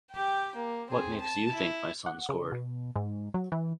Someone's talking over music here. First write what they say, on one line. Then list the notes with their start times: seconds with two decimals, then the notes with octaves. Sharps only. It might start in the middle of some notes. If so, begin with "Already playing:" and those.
What makes you think my son scored?
0.11 G4 G5
0.55 A#3
0.90 C4 G#4
1.20 A5
1.51 E4
2.06 F#5
2.29 C#3
2.52 B2
2.96 G#2
3.34 F#3
3.52 E3